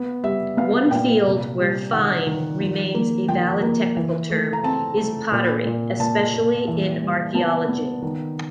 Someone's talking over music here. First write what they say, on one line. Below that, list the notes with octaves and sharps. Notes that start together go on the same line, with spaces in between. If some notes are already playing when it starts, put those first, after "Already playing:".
One field where "fine" remains a valid technical term is pottery, especially in archaeology.
Already playing: B3
G3 E5
B3 F5
A#2 G5
C3
G3
D#3 F#5
D#3
F3
A#3
F3 G5
A#3
E3
A3
A#5
C4 A5
A3
A#2
A#2
A#2 A5
A#3
E3
G3
B3 A5
B3
D#3